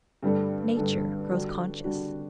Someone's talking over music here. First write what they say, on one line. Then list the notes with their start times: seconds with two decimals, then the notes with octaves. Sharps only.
Nature grows conscious.
0.23 G2 D3 G3 D4 A4
0.77 G2 D3 G3 D4 A4
1.31 D3 G3 D4 F#4
1.84 D3 G3 D4 F#4